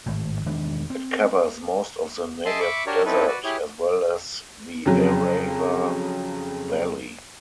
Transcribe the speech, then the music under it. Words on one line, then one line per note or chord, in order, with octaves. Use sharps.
It covers most of the Negev desert, as well as the Arava valley.
G#1 A2
E1 D#3 G#3 D4
C4
G#4 D#5 E5 A5 C6
E5 B5 C#6 D6
D4 F#4 G4 A#4 C#5 D5
C4 C#4 D#4 E4 A4 B4
F#4 B4 D5
E4 G4 G#4 C#5
F2 C#3 F#3